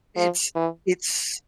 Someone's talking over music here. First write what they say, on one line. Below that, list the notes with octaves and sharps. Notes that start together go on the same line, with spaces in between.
It's it's
F3
E3